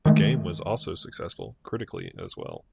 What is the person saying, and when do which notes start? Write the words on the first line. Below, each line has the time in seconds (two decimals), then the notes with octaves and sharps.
The game was also successful critically as well.
0.06 D#3 G#3 A3